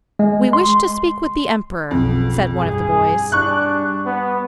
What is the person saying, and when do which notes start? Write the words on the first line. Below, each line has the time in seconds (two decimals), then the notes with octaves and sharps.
'We wish to speak with the emperor,' said one of the boys.
0.19 G#3
0.53 C6
1.91 B1 F2 C#3
2.55 G2 G#4
3.32 G3 D4 C#6 F#6
4.06 B3